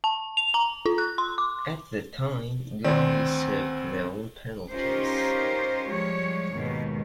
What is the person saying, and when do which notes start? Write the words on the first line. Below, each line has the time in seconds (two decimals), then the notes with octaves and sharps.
At the time, goalies served their own penalties.
0.04 A5
0.37 F7
0.54 A#5
0.86 F4
0.98 F#6
1.18 C6
1.38 D6
2.84 D2 D#3 C4 D5
4.73 C#4 D#4 F4 G4 A#4 C5
5.91 F3 G3 G#3 C#5
6.54 D#2 G#2 B2 D#3